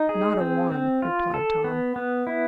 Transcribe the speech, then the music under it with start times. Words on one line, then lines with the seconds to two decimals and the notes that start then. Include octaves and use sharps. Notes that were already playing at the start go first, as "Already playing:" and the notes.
"Not a one," replied Tom.
Already playing: D#4
0.09 G#4
0.40 C4
0.72 C4
1.02 F4
1.34 A4
1.64 B3
1.96 B3
2.27 E4